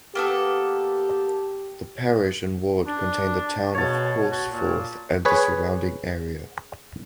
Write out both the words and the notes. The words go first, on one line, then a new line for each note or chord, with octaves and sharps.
The parish and ward contain the town of Horsforth and the surrounding area.
A#3 B3 G4 A4
D4
B2 C#5 A5
F#4
A#2
G#4 B4 C#5